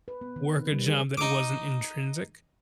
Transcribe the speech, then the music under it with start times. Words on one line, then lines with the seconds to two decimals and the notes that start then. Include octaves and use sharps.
work a job that wasn't intrinsic,
0.08 B4
0.21 B3
0.36 D#3
0.56 C4
0.72 G3
0.88 G#4
1.17 D#4 D6